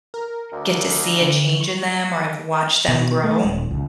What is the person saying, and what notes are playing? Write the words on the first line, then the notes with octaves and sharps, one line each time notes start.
get to see a change in them or I've watched them grow.
A#4
D2
A#6
D3
C#6
B2
A3
D#1
C#2